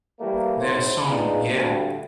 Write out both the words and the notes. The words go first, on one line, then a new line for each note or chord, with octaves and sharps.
Their song Yeah!
E3 G3 A3 A#3
A#1 G#2 F#3 E4 C5
G#3 B3 D4 D#4 F4 G#4
D2 G2